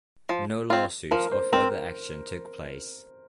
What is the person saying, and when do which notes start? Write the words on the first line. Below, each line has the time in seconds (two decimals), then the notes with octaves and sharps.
No lawsuits or further action took place.
0.29 F3
0.70 C4 F4
1.11 F3 A#4
1.32 C5
1.52 C4 A#4